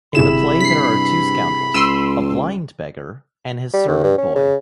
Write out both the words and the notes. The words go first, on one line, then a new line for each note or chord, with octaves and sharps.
In the play there are two scoundrels, a "blind" beggar and his servant boy.
G1 C3 E4 G#4 B5 E7
G2 B6 C7
C#2 C6 E6 D7 D#7
G3
D#2
G2
C#4
C#3